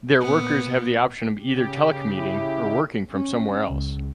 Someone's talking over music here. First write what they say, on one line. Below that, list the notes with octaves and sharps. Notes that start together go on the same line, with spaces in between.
Their workers have the option of either telecommuting or working from somewhere else.
A#2 B3
C#3 G4
E4
C#4
C#2